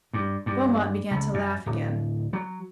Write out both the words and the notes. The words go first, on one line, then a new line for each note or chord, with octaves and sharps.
Beaumont began to laugh again.
G2
G2
C#2
F#2
D1
F#3